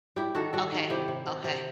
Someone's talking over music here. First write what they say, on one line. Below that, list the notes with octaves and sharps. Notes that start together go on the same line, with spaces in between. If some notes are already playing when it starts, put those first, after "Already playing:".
Okay. Okay.
G3 E4 G4
D#3 F#4 A4
G3 F#4 A4
D#3
C3 E4 G4
C3
C3
C3